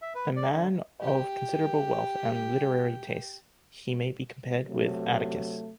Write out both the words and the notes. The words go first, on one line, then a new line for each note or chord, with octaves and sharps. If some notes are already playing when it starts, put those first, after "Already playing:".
A man of considerable wealth and literary tastes, he may be compared with Atticus.
E5
B4
D5
D3
G4 G5
C3 F#3 A3